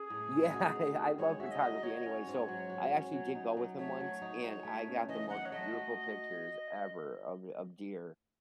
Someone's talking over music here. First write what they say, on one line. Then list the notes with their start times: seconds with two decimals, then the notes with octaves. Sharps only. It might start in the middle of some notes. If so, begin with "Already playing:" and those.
Yeah, yeah, I love photography anyway. So, I actually did go with him once, and I got the most beautiful pictures ever of of deer,
Already playing: C#4 G#4
0.10 A2
0.32 C#4
0.54 F#4
0.75 D#4
0.97 D#3
1.18 G#3 C#5
1.40 F#4 E5
1.51 D#5
1.62 D#4
1.83 F#4 C#5
2.06 C#4
2.27 G#2
2.48 F#3
2.70 F#4
2.92 C#4
3.13 F#3 C#5
3.35 D#4
3.57 F#3
3.78 A3 C#5
4.00 F#3
4.22 D#4
4.44 D#4
4.65 A3
4.87 C#3
5.09 E3 D#5
5.30 D#4 F#5
5.45 C#5
5.52 A3 D#5
5.73 F#4